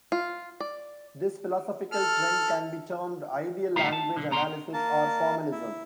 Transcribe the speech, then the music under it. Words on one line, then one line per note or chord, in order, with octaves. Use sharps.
This philosophical trend can be termed "ideal-language analysis" or "formalism".
F4
D5
A4 F6
A2 C#3 G3 A3 F5 A#5
A5
B1 D3
D2 B2 A#5 C6
A#3 A5
E4